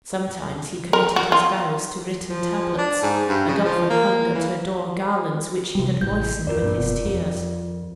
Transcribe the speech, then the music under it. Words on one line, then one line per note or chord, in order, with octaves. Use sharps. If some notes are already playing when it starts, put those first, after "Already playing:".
Sometimes he committed his vows to written tablets, and often hung at her door garlands which he had moistened with his tears.
A#4
F#4
F4
F3
D4
G#2
G2
C#3
F3
A#3
E3
C3 G3
A1 A2 G6
F2 F4 A#4 D5
G2 A#2
F1 B2
F2